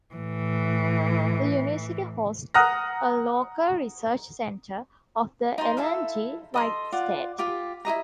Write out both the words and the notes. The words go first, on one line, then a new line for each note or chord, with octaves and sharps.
The university hosts a local research centre of the Ellen G. White Estate.
A2 E3
F#5 A#5 D#6 F6 F#6 A#6
D#4 D#5 A5 C6
E4 A4 E5 F5
A4 D#5 C6
F4 D5 F#5
F4 G4 D6
E4 G#4 D#5 A#5